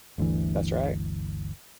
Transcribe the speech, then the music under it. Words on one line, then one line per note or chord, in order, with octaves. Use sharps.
That's right.
G1 D2 D3 E3